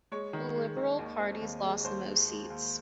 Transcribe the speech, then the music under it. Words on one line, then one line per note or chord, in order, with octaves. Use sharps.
The liberal parties lost the most seats.
G#3 C#5
D#3
G#3
D#3
D#2
C4
D#2
G#3
D#2 C5
G#3
G#3
D#2